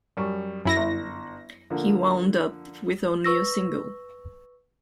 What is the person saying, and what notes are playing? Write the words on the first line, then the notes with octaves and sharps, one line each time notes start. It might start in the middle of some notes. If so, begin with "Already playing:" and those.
He wound up with only a single.
F#2 G3 C#6
F#2 E4 A#6
G1
D3 F3 A#3
B4 C#6 E6 A#6